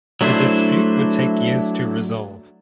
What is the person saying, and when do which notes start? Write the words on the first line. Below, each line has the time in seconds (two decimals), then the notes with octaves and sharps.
The dispute would take years to resolve.
0.21 F#3 A3 D4 E4 C5